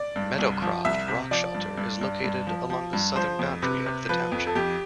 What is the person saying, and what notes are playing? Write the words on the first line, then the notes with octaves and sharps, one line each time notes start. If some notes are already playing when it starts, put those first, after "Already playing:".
Meadowcroft Rockshelter is located along the southern boundary of the township.
Already playing: D5
G2
C2
F3
C2 E5
C3
F3 D5
G2
G2
G2
G2
F3
F3
G2
F3 C5
F2
C3 B4
C3
F3 B4
F2
A4
F2 G4